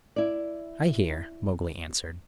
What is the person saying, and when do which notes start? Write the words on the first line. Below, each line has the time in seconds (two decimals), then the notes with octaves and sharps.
"I hear," Mowgli answered.
0.16 E4 D5